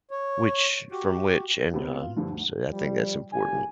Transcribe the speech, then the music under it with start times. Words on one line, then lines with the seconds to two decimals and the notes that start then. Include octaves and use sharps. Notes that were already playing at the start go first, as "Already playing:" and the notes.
which from which and, uh, so I think that's important.
0.11 C#5
0.92 F#4 G4
1.74 C3 B3 C4
2.01 F4
2.16 G2 D3 F3
2.32 D2
2.71 F3 G3
3.32 G#1 D3 G4 G#5